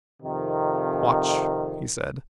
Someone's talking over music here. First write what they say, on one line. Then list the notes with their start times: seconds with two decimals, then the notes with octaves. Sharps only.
"Watch," he said.
0.22 F2 C3 D#3